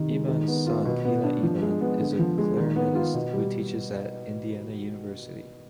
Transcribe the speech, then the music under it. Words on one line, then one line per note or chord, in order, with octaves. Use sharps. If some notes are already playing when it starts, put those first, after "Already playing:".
Eban's son, Eli Eban, is a clarinetist who teaches at Indiana University.
Already playing: C3 D#3
G#3
D#3
B3
F4
B2
B3
D4
F3
G#3
B3
D3
F3
G#3
D#3
B3
F4
B2
G3